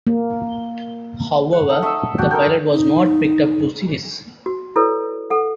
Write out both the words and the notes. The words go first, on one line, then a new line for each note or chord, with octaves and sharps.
However, the pilot was not picked up to series.
A#3
F#5
D#4 A4
A3 D#5 E6
D4 F#4 G5
D#4 A4 A#4 G5
D#4
F#4
E4 A4 B4 C#5 D5
A4 F#5